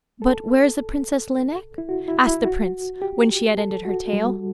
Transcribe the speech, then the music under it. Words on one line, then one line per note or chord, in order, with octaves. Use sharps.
'But where is the Princess Lineik?' asked the prince when she had ended her tale.
A4
E4
F#4
E4
E4
F#4
G4
A4
F#4
G3